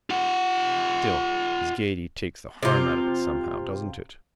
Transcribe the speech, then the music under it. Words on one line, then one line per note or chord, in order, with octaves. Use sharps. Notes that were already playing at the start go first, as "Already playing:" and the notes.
Still his gaiety takes the harm out of it somehow, doesn't it?
F4 F#5
C3 F4